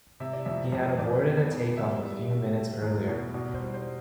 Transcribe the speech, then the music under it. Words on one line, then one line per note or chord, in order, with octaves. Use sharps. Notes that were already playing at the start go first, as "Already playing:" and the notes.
He had aborted a take off a few minutes earlier.
C3 E5
D5
F2 E5
F2
F2 D5
B3
B3
G3 E5
G3
B2
A3
E2
B2
B2 D5
C5
G3
C5